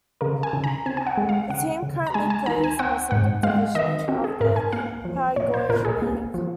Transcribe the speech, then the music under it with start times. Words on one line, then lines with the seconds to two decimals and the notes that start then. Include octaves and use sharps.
The team currently plays in the second division of the Paraguayan League.
0.21 C#3 A#4
0.43 G#5
0.53 C#3
0.64 A#5
0.86 C4 G#5
0.97 G#5
1.07 F#5
1.17 G#3
1.29 F5
1.50 C#3 F#5
1.83 C#3
2.07 A#5
2.14 G#3 G#5
2.30 G#5
2.46 D#3 A#5
2.64 G#5
2.79 C4 F#5
3.11 G#2 F#5
3.43 G#3 F5
3.75 D#3 D#5
4.08 C4 F#4
4.24 G#4
4.41 G#2 A#4
4.56 G#5
4.72 A#3 F5
5.05 F3
5.36 A#2 C#5
5.54 C5
5.69 A#2 A#4
5.85 G#4
6.02 A#3
6.34 F3